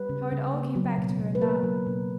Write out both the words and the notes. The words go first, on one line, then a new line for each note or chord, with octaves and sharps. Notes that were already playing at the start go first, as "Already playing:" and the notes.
How it all came back to her now!
Already playing: G3 B4
C#3
C#3
A#3
F#3
B2
B2
B4
A#3 A#4
F#3
B2